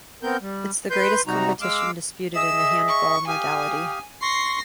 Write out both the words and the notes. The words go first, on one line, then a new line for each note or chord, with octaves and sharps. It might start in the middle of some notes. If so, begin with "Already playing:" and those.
It’s the greatest competition disputed in the handball modality.
B3 C4 A#4 G6
G3
B4 C6 G6
C3 G3 D#4 F#4 A#5
G#3 F5 D6 E6
G#4 D#5 E5 E6
C#6
G4 F5 G#5 D#6
C6 C#6 A#6 C7